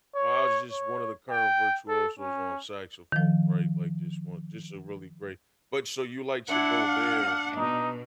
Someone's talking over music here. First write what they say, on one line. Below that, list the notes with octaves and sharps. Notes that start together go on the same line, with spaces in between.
Kamasi's just one of the current virtuosos on saxophone, right? Like just one just a really great but so you like to go there
C#5
C#5
G5
A4
C#4
D#3 F3
D4 E4 F#5
F5
D4
B2 D#4